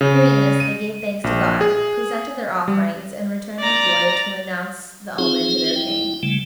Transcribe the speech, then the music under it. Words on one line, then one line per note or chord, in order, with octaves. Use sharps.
Hearing this, they gave thanks to God, presented their offerings, and returned with joy to announce the omen to their king.
C#3
D#7
A#1
G#4
G3
D5 A#5
C4 D#4 F4 G#4
E4 G5
C#3 G3 A3